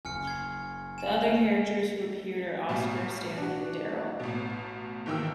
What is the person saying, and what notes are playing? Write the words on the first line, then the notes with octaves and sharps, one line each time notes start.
The other characters who appeared are Oscar, Stanley and Darryl.
F#1 G#5 F6 C#7
G#6 C7
G#5 E7
A1 B2 G3
D4 F#4
A1 B2
G#1 G#2 D#3 E3 G5 E6